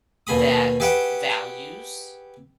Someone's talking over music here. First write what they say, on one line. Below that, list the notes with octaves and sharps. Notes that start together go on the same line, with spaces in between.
that values
D#2 B2 G#4 B5 D#6
G4 G#4 B4 E5 F#5 G5